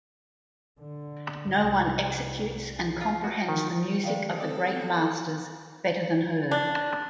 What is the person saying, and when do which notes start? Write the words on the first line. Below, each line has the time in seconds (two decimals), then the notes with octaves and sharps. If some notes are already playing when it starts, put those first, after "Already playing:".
No one executes and comprehends the music of the great masters better than her.
0.79 D3
1.62 C2
3.01 F4
3.24 F#4
3.49 D#3
4.03 D#3 G3 G#3 D5 F5 G5
4.38 C4 A4 D5 D#5 G5 D#6
4.76 B3 C#5 G5
6.51 D4